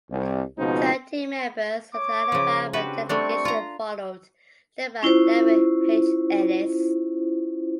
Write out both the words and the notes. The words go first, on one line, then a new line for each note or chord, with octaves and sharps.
Thirteen members of the Alabama delegation followed, led by Leven H. Ellis.
C2
C#2 B2 F3 C4 D#4 C5
C#5 D6
C#3 F3
C4 D4 F#4 G4 B4
G3 A3 C4 D4 C#6
F4 A#5
C#4 E4 F4 C5